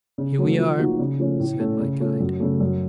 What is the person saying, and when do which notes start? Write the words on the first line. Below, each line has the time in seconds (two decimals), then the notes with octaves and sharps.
"Here we are," said my guide.
0.18 C#3
0.39 F#3 A3
0.58 F3
0.79 A#3 D#4 F#4
0.99 C#3
1.19 F3 A3 C#4
1.39 A2
1.60 A3 C#4
1.79 C#3
2.00 A3 C#4 F4
2.20 F#2
2.40 C#3 A3
2.60 F#2